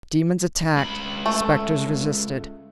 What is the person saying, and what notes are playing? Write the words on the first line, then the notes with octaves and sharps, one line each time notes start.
Demons attacked, spectres resisted.
C#2 B5
A3